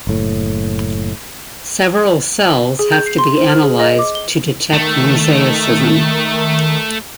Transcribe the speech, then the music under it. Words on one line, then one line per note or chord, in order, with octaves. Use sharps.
Several cells have to be analysed to detect mosaicism.
F#1 A2
G#4
G6
C7
C6
C5
F6
G#4
D#5
D6
G7
D#3 A3